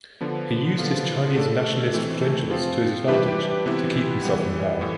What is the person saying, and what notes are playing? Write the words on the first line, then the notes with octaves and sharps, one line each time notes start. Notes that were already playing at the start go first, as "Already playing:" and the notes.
He used his Chinese nationalist credentials to his advantage to keep himself in power.
D3 F3 B3
D3 F3 B3 F4
A3 D4 A4
E3 A3 C4
F3 C4 F4
E3 G3 D4 G4 B4
C3 E3 B3 E4
E3 G3 B3
A2 E3